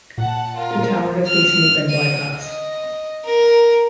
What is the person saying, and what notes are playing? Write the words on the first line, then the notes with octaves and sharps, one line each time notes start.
The town has recently been bypassed.
A#2 F#5 A5
F4 A#4
F6
D#7
D#5
A#4